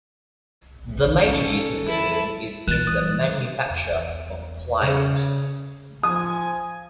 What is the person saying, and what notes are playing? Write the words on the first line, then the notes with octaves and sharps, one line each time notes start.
The major use of Gaboon is in the manufacture of plywood.
C#4 A4
E4 A5
E3 F#6 A6
D#6 F#6
E2
C#3
F3 G#5 D#6